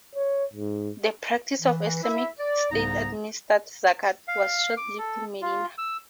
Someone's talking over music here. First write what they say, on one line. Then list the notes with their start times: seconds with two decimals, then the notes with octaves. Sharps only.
The practice of Islamic state-administered "zakat" was short-lived in Medina.
0.15 C#5
0.53 G#2
1.60 E3
2.02 E4 E5
2.39 D5
2.70 C2 G#2 C#3 B3 D#4 A#5
4.28 F5
4.77 D6
4.98 A4
5.42 F4
5.78 E6